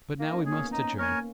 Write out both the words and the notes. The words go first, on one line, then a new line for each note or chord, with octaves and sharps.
But now we must adjourn.
A#3 D#4
C#4
A#3 C#4 G#4
B3
C#4 D#4
C#4
A#3 A#4 C#5 G#5
A#3